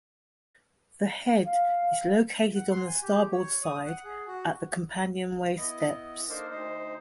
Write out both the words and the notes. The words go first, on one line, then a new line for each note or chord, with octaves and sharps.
The head is located on the starboard side at the companionway steps.
F5
F#5
C6
G#5
G4
C#5
D#6
F#5
G#4
F#4
B3 E4 D#5
A#3 D4 D#4 A4 A#4 C5
D2 D#4 C5